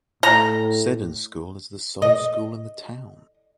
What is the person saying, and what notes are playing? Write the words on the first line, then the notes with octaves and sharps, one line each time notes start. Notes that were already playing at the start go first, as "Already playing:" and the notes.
Seddon School is the sole school in the town.
A2 A#5
D#5